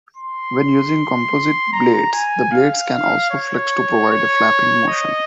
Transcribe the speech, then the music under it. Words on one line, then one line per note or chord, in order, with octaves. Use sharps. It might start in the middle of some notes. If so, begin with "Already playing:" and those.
When using composite blades, the blades can also flex to provide a flapping motion.
C6
A#5
G#5
F5
C#5
C#5
D#5